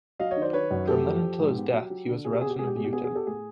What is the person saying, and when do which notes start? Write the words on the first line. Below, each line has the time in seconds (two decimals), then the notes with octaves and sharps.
From then until his death, he was a resident of Eutin.
0.19 F#3 D#5 F5
0.31 C#5 D#5
0.36 D#3
0.42 C5 D5
0.53 D#3 B4 C#5
0.71 F#2
0.87 A3 G4 A4
1.05 F3
1.22 F3
1.39 G#2
1.56 B3
1.73 F#3
1.90 F#3
2.08 D3
2.25 B2 G#4
2.33 G4
2.41 B3 G#4
2.50 G4
2.58 G#3 G#4
2.67 G4
2.76 B2 G#4
2.84 G4
2.93 B3 G#4
3.04 G#4
3.10 B3
3.15 G4 A4
3.27 A2 G#4